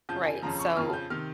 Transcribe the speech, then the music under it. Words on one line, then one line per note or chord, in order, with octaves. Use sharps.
Right, so
F2 C#3 F3 G6
G#5
F2 C#3 F3 A#5
C#6
F2 C#3 F3 F6
G6
C3 D#3 F6